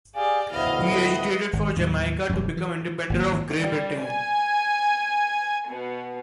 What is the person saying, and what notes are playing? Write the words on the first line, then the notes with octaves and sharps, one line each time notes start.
He agitated for Jamaica to become independent of Great Britain.
G4 G#4 D5 F5 G#5
D2 A2 B3 E4 D#5 F5
B4 D#5
G#1
D#2 A2 F#3
E1 F#2
E3
G#1 C#3 A#3
G3
G#5
B2